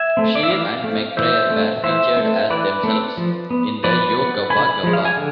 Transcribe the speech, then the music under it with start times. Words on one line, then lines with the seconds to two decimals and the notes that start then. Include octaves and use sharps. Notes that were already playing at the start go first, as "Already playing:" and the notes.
Scheer and McBrayer were featured as themselves in the Yo Gabba Gabba!
Already playing: E5 G#5
0.17 A3 C4
0.35 D5
0.43 E5
0.50 E3 D5 F5
0.84 A3 C4
1.17 E3 C5 E5
1.50 A3 C4
1.84 E3 C5 E5
2.17 A3 C4
2.50 E3 B4 D5
2.84 A3 C4
3.17 F3
3.50 B3
3.84 F3 B4 D5
4.17 B3
4.50 D3 G#5 B5
4.83 F3 G#3
4.93 F5
5.05 G#5
5.17 D3